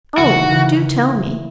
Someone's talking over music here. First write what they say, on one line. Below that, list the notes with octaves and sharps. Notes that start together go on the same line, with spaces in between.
Oh, do tell me!
D#2 C#3 E3 F#4
D#2 C#3 E3